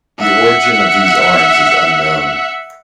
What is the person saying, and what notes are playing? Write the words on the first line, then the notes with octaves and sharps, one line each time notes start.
The origin of these arms is unknown.
E5 F#5